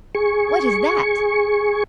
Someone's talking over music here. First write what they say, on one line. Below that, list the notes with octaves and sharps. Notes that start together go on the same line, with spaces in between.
"What is that?"
G#4 C#6